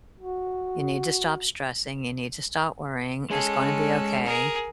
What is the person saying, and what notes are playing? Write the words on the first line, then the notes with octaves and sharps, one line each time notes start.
You need to stop stressing, you need to stop worrying. It's gonna be okay,
F#4
G#3 C#4 G#4 A4
G#4 A#4